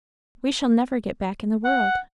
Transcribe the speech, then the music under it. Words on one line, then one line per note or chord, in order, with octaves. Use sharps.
We shall never get back in the world!
F#5